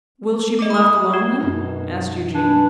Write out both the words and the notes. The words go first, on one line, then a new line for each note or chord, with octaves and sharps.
'Will she be left alone then?' asked Eugene.
D#5 D6
E4 B5 D#6
F#4
F#2 B2 D#4
D4 G#4 B4 A5